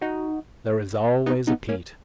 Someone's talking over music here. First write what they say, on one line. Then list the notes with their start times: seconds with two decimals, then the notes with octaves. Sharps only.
There is always a Pete.
0.01 D#4 F#4
1.26 B3 D#4
1.47 B3 D#4
1.69 A#3 C#4